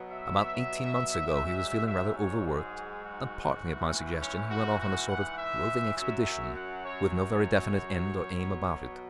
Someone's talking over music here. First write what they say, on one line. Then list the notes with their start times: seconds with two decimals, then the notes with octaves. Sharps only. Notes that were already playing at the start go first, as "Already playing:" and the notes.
About eighteen months ago he was feeling rather overworked, and partly at my suggestion he went off on a sort of roving expedition, with no very definite end or aim about it.
Already playing: B2 F#3
0.11 E5
1.29 G#2 F#3
1.87 E5
2.17 C#5
2.46 G#4
3.05 F#4
3.62 G#2 E3
4.21 C#4
4.50 F#4
4.80 F#4
5.09 F#5
5.38 E5
5.97 F#2 F#3 E5
6.56 F#5
6.84 C#5
7.14 C#5
8.31 B2 F#3